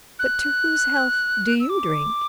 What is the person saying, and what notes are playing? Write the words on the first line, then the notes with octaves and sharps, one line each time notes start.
But to whose health do you drink?'
F#6
E6
D6